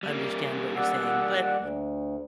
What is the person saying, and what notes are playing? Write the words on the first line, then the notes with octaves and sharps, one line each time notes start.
understand what you're saying, but
G3 A#3
D5 F#5 E6
D2